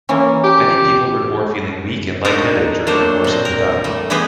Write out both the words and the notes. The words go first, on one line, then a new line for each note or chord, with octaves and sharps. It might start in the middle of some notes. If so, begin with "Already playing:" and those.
Many people report feeling weak and light-headed during the course of the diet.
E3 A#3 C#4
G4
C4 D4 D#4 F#4 A#4 D5
F#3 A3 A#3 D4 C5
A#2 C4
A#4
G3 A3
E3 G#3 B3 G4 G#4 B4